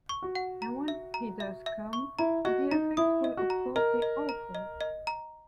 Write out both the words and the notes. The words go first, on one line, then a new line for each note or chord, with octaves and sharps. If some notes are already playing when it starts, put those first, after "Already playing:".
And when he does come, the effect will of course be - awful.
C#6
F#4
F#5
A#5
E5
A#5
E5
E5
C#6
E4 A#5
F#4 D#5
D#4 A#5
E4 D#6
D#5
F#4
A#5
A#4 D#5
D#5
A#5
D#5
D#5
A#5